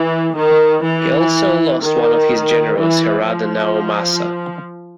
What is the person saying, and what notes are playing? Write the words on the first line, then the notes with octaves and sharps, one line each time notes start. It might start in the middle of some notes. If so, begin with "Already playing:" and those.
He also lost one of his generals, Harada Naomasa.
Already playing: E3
D#3
E3
D#3
E3
F3